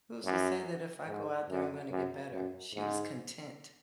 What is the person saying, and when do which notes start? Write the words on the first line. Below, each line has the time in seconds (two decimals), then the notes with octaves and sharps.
"Who's to say that if I go out there, I'm gonna get better?" She was content.
0.24 F#2
1.08 G#2
1.50 F#2
1.91 F#2
2.33 F#2
2.75 G#2